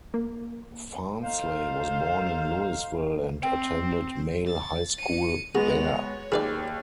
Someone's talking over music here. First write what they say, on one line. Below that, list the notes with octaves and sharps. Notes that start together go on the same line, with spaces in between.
Farnsley was born in Louisville and attended Male High School there.
A#3
D#4 A4 C5 F5
C4 G5
A6
C#7 D#7
G#3 B3 F#4 G#4 F#5 F7
C#5
D#2 G#4 B4 D5